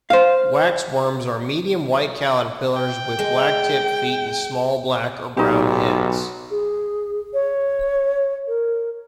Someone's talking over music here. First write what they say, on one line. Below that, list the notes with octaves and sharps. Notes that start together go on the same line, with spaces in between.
Waxworms are medium-white caterpillars with black-tipped feet and small, black or brown heads.
C5 F5
G5
G#3
B1 D#4 G4
G#4
C#5
A#4